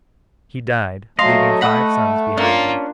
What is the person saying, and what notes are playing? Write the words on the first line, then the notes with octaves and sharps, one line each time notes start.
He died, leaving five sons behind him.
F#3 A3 D#5 F5 C6
A3 F#5 B5
A#3 C#4 D4 F4